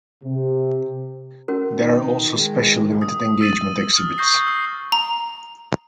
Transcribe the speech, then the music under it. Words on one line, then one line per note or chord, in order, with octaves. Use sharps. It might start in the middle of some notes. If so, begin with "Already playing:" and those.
There are also special limited-engagement exhibits.
C3
C#4 F#4 A#4
D#3 D#4
D#3 G#3
D#6
E6 A6 D#7 F#7
D#6 F6
C#6 D#6 G6 A#6 C7
E6 C7
A#5